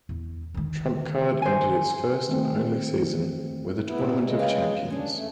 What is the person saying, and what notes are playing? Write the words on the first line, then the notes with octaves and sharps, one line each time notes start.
"Trump Card" ended its first and only season with a tournament of champions.
E2
D3 D#3
C5 G#5
D#3 A3 C4
B3 E4
A#2
C#3 G#3
G4 B4 F5
C#4 D4 G#4
A3